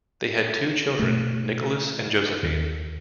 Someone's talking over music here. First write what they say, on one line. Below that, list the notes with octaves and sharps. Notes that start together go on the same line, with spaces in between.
They have two children, Nicholas and Josephine.
B2 A3
D#2